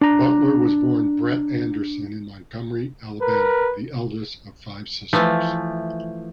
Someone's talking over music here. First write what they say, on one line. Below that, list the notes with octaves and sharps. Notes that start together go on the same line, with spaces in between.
Butler was born Brett Anderson in Montgomery, Alabama, the eldest of five sisters.
D4 A#5
A#4 B4
E3 F3 A3